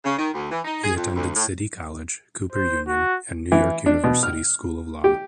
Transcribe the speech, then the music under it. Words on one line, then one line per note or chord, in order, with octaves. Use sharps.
He attended City College, Cooper Union, and New York University School of Law.
C#3
D#3
D2
E3
D#4
G#4
F2
D2
A2
C5
F#4
E3
D4
B2
F6
G4